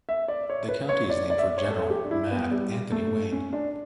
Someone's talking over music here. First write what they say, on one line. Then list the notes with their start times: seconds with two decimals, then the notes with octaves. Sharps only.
The county is named for General "Mad" Anthony Wayne.
0.09 E5
0.28 D5
0.50 C#5
0.69 B4
0.89 C#5
1.10 D5
1.30 D5
1.39 E5
1.43 D5
1.58 C#5
1.71 A4
1.90 G4
2.04 D4
2.11 E4
2.31 B3
2.51 G3
2.92 A3
3.32 C#4
3.53 D4